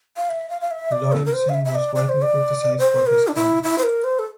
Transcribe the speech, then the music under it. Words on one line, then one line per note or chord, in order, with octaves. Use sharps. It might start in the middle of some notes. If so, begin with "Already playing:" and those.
Lorentzen was widely criticized for his comments.
F5
E5
F5
F5
E5
D5
A4
A#4
C5
F5
E5
E5
D5
D5
C5
D5
C5
A#4
D4
E4
E4
C5
A#4
C5
A4